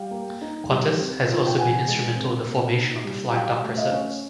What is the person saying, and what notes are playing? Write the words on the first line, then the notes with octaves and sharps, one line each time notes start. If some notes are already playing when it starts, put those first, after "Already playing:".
Qantas had also been instrumental in the formation of the Flying Doctor Service.
Already playing: G3 F5 G5
A#3
D#4
G3
C4
F4
G5
E3 F#5 G#5
G#3
C4
A#3
D#4
G3
F#3 F5 G5
A3
D#5 F5
C#4